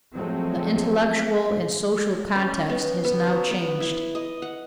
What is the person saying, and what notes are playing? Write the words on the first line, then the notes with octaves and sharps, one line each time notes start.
The intellectual and social context has now changed.
F3 F#3 G#3 A3 C4
C#4
B3
B3
F#3
B3
E4
D#5
F#5